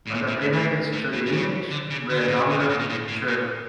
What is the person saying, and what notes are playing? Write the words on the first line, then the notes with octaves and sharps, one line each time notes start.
Other benefits to the English were longer term.
A2
A#2
A2
A2
A2
A2
A2
A#2
C#3
D3
C#3
D3
C#3
A#2
C#3
A#2
C#3
A#2
A#2
A2
A2
A#2